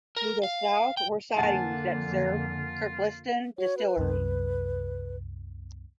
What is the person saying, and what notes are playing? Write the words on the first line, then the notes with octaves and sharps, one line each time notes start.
To the south were sidings that served Kirkliston Distillery.
A#4
F5
G5
F2 D3 A#3 F4 F#5 G#5 A5
F#4 C#5
B4
C2 F#2 C3